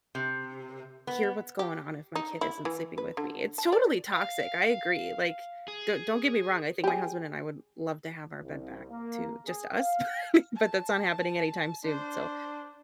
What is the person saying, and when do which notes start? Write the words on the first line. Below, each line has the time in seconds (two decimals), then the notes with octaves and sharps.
hear what's going on if my kid isn't sleeping with me, it's totally toxic, I agree, like, don't don't get me wrong, I think my husband and I would love to have our bed back to just us, but but that's not happening anytime soon, so,
0.15 C3
1.07 B3
1.59 G4
2.15 D#4
2.41 E4
2.65 E3
2.98 B4
3.17 D3
3.58 A5
3.72 D5
4.13 F5
5.68 G#4
6.84 G4 G#4
8.42 C2
8.90 A#3
9.47 G#4
9.78 F5
10.56 A5
11.84 D4 C5